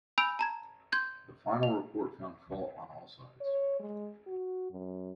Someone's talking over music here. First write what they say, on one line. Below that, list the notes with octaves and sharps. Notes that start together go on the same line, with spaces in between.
The final report found fault on all sides.
G#5 B5 E6 G6 D7 F7
A5 A#5 G#6
C6 G6 G#6
F7
C#5
G#3
F#4
F#2